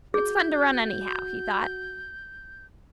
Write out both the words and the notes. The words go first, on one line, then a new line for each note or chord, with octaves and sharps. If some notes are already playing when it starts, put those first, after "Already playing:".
"It's fun to run, anyhow," he thought.
F#4 G#4 G6